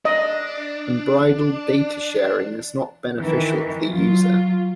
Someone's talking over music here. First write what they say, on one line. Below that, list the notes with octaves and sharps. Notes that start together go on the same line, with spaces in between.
Unbridled data sharing is not beneficial to the user.
D4 D#5
D#3 E3
F#3 F4